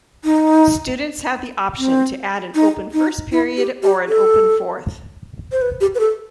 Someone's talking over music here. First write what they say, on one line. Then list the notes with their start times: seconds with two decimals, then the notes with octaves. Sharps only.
Students have the option to add an open first period or an open fourth.
0.24 D#4
1.78 C4
2.55 D#4
2.93 D#4
3.32 E4
3.57 G4
3.83 G4
4.09 A4
5.52 C5
5.62 B4
5.81 G4
5.95 B4
6.00 A4